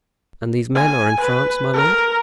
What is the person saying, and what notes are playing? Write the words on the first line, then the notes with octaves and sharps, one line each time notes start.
"And these men are in France, my lord?"
G#5
B4
A#4